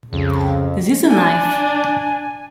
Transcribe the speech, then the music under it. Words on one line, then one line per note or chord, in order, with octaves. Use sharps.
This is a knife!
C2 F2 C#3
D4 G#5